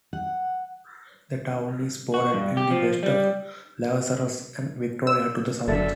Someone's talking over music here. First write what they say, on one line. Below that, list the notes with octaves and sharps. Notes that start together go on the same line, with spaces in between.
The town is bordered in the west by Lavezares and Victoria to the south.
F#5
F#4
G2
G4
F3
G3
C#5 E6
F#1 D3 F#4 A4 D5 E5 A6